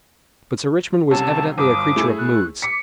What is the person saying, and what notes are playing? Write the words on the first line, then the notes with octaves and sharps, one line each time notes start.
But Sir Richmond was evidently a creature of moods.
C2 C3 C#4 A5
G1 D6 D#6
A3 E4 G#4
F#6
D6 B6 C#7